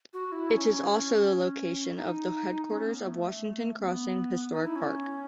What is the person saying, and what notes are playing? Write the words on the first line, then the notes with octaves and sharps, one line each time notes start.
It is also the location of the headquarters of Washington Crossing Historic Park.
F#4
E4
D#4
C#4
C#4
D#4
C#4
B3
A3
C#4
B3
D#4
E4
C#4